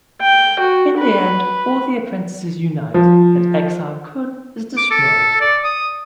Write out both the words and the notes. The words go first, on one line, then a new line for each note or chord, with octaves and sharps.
In the end, all the apprentices unite and Exar Kun is destroyed.
G5
F#4
B4
F3
D6
A4
D5
D#6